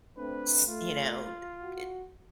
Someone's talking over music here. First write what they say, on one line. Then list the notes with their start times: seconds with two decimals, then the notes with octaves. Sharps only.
s you know, uh uh
0.18 A3 C4 D4 B4
0.68 A3 F4
1.63 F#4